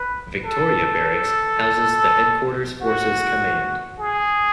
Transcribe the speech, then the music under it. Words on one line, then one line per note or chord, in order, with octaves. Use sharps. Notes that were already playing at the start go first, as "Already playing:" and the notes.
Victoria Barracks houses the Headquarters Forces Command.
Already playing: B4
A4
F#4
G#4